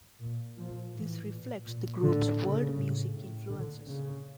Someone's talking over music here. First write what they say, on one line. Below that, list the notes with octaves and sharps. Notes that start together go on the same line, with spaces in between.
This reflects the group's world music influences.
A#2
A#2 F3
A2 E3
A#2
A#2
A2 D3
A#2 C#3
A2
A2
A#2 D3
A#2 C#3